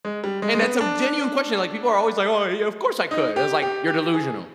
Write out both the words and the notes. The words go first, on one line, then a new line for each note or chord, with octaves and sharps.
And that's a genuine question, like, people are always, like, "Oh, yeah. Of course I could." It was, like, "You're delusional.
G#3
G3
G#3
G#3
B3
D4
D#4
G4
G4
G4
G#4